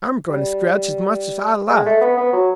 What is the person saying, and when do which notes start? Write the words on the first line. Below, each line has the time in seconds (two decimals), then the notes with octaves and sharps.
"I'm going to scratch as much as I like!"
0.29 G3
1.70 G#3
1.86 A3
2.01 B3
2.17 B3
2.33 F#3